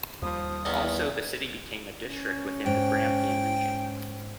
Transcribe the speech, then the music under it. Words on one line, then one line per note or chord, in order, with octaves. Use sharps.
Also, the city became a district within the Grampian region.
D#2 F3 G3 D#6
E2 D#3 E3 B3
C#4
G#2 G5